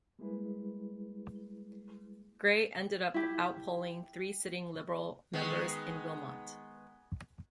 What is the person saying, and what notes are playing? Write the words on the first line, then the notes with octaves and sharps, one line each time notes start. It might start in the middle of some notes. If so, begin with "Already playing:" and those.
Gray ended up out-polling three sitting Liberal members in Wilmot.
G3 G#3 A#3 E4 G#4 B4
E4 G4
D#3 G#3 B3